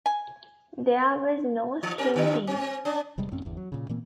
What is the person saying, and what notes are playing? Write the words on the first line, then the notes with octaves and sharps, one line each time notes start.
There was no skimping.
G#5
E3
G3 C4 A#4
G2 D3 D4
C4 C#4
C4
C#4 D4
E1 C3 G3 G#3
A1 F#2 C4 C#4
G1 E2
F#3
A#2 C#3
A#2 E3 A#3 C4